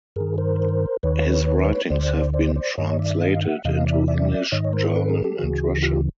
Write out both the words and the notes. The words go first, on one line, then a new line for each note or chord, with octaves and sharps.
His writings have been translated into English, German, and Russian.
G2 D#3 G#4 A#4
A#4 C5
D#2 D#3 B4 C#5
D2 D3 C5 D5
C5 D5
C5 D5
G2 D#3 C#5 D#5
D5 E5
E5
D#5 F5
E5 F#5
E2 C3 E3 D#5 F5
D5 E5
D5 E5
G#2 D#3 C#5 D#5
C#5
A#4 C5
A4 B4
G#4 A#4
G4 A4
D2 C#3 E3 F#4 G#4
F4 G4